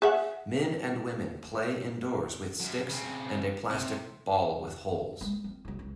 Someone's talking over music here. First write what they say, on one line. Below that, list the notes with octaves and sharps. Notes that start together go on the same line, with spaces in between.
Men and women play indoors with sticks and a plastic ball with holes.
G#4 E5 F#5
F#2 F#3
C#3 C4
C3
G#3
F3 C4
C#3 F#3
C#2